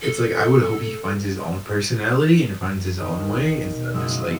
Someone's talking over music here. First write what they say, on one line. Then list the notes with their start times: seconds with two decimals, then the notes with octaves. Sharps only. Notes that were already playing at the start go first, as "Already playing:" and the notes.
it's, like, I would hope he finds his own personality and finds his own way instead of just, like,
0.02 A4
2.60 F#2
2.98 D#2
3.30 A#1
3.75 B2
3.94 F#1 G#3 E6